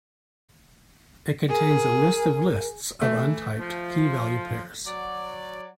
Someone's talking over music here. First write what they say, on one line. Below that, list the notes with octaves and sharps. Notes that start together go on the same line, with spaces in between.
It contains a list of lists of untyped key-value pairs.
G#4 A#4
E3 A3
F3
F#3 D5